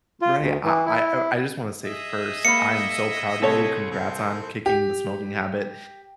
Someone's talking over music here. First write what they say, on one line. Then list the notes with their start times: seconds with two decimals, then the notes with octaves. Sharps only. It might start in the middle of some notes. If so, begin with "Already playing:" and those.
Right, I I uh, I just wanna say first, I'm so proud of you, congrats on kicking the smoking habit,
0.22 F4
0.40 D2
0.64 E3
0.86 E4
1.84 G#4 D#5 E5
2.45 A#3 B5 C#7
3.42 C2 A4 C#5
3.90 C4
4.66 G4